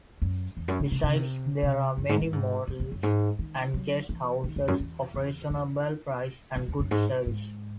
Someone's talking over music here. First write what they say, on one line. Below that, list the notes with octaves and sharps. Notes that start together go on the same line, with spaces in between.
Besides, there are many motels and guest-houses of reasonable price and good service.
F#2
E2
F#2
A2
C3
C#3
C3
C3
F#2
G#2
A2
G#2
F#2
E2
F#2
G#2
D#3
F#3
E3
D#3
E2
F#2
E2
E2
E2
E2
E2
F#2
G#2
G#2